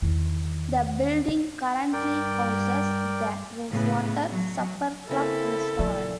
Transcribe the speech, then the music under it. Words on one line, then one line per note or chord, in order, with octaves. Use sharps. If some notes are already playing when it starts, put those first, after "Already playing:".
The building currently houses the Rosewater Supper Club Restaurant.
E2 D#3
G2 A#4 D5 G5
A2 C#3 B3
F#3
C#3 A#3 C4 E4 A4
A#2 C#3 F#3